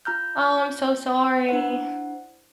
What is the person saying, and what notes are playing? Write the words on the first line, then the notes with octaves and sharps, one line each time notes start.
Oh, I'm so sorry.
F4 A#5 F6 G6
D4 E4 C5 F#5